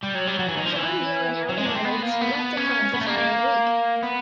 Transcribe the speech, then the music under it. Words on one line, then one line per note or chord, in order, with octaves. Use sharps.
John Gill and Alan Reynolds left the club the following week.
G3
F#3
G3
F#3
E3
D#3
F3
E3
F#3
G#3
D4
C4
B3
A#3
B3
C#4
B3
A3
A#3
A#3
B3